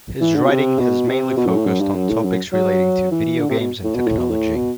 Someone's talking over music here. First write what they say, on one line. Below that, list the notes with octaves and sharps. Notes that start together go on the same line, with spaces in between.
His writing has mainly focused on topics relating to video games and technology.
E3
D3
B2
C3
B2
C3
B2
F#2
A2
F#2
G2
F#2
A2
F#2
F#3
E3
D3
C3
B2
A2
B2
A2
B2
A2
B2